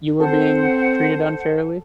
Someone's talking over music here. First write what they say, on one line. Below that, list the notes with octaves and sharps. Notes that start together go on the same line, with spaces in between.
you were being treated unfairly?
C4 A4 C5 F#5